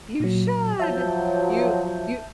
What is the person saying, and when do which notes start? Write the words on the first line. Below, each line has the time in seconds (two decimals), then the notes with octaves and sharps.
you should! you you
0.20 A#2 F#3
0.80 F3 F#3 E5 A5 G6